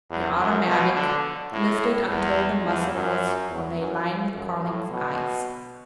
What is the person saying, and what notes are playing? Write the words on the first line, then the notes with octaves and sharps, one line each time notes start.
The automatic lifted until the muzzle was on a line with Carling's eyes.
E2
F#2
B2
D3
A2
E2
E2
F#2
E2
F#2
F#2
A2
B2